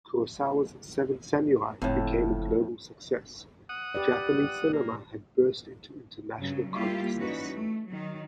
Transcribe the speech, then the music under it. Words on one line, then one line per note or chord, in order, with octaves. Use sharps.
Kurosawa's "Seven Samurai" became a global success; Japanese cinema had burst into international consciousness.
F#1 F2 A2
F#5 D#6
G4 B4 D5
A#3
G2 C#3 F#3
G3 A#3 E4 F4 G4
E3 G3 C#4 D#4 F#4 B4
A3
D#3 F#3